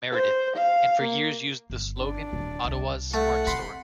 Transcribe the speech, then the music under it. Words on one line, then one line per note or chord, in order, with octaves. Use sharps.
Meredith, and for years used the slogan "Ottawa's Smart Store".
C5
F5
A#3
G1
D4
D#1
C2
A3 F#5
C4 B5 C6